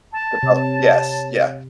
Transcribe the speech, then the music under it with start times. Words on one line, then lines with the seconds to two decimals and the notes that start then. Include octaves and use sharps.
put up yes, yeah,
0.14 A5
0.43 C3 C#5